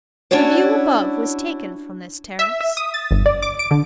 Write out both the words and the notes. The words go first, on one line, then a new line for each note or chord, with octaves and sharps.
The view above was taken from this terrace.
C#4 D4 E4 F#4 C#5 D5
E5
E5
D#6
A6
G1
D5
D6
D7
D3